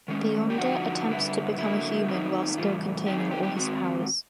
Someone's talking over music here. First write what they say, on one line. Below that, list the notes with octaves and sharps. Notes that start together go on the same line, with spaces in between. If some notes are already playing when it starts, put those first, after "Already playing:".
Beyonder attempts to become a human while still containing all his powers.
D#3 G#3 C#4
G4
F2 D3 F3 A#3 D#4 F#4
G2 D3 G3 B3 E4
D3 F#3 A#3 E4
F#2 D#3 G3 C4 D#4
A2 E3 G3 F4
D#3 G3 C4 D#4 G4
G#4
G4
G4
D#3 G#3 C4 F#4